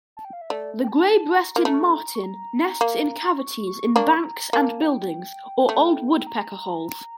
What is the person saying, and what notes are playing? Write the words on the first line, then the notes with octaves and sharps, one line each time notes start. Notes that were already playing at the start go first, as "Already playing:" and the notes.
The grey-breasted martin nests in cavities in banks and buildings, or old woodpecker holes.
A5
G5
F5
E5
A3 D5
G5
A5
A5
A#5
A#3
A3 A#5
C#6
A#5
A#5
C#6
A#5
A#3
C#6
C#6
A#3 D4 C#6
A#5
A#3 A5
G5
A3
A#5